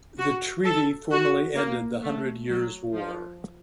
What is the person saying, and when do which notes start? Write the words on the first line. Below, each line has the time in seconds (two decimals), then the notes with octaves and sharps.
The treaty formally ended the Hundred Years' War.
0.18 F#4
0.64 A4
1.11 F#4
1.56 A#3
2.02 A3
2.49 F#3
2.94 F3